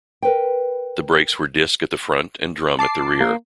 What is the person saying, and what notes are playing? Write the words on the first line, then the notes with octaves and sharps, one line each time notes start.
The brakes were disc at the front and drum at the rear.
A#4 B4 G5
A5 D6 C7
A#3